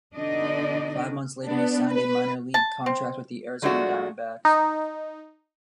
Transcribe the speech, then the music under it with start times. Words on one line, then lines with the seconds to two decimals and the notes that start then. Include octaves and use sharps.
Five months later, he signed a minor league contract with the Arizona Diamondbacks.
0.15 B2 D3 D4 D#4 D5 D#5
1.46 B3 D4
1.91 B4
2.54 A5
2.86 C4
3.62 F#3 G#3 A3 D4 F4 F#4
4.45 D#4